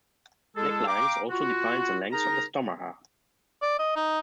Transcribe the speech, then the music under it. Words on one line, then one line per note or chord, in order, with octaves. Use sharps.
Necklines also defined the length of a stomacher.
G#3 E4 G#4 A4
F5 G5 A#5 D6
F4 F#4
D#4 G#4 A#4 A#5
D5
D#5
D#4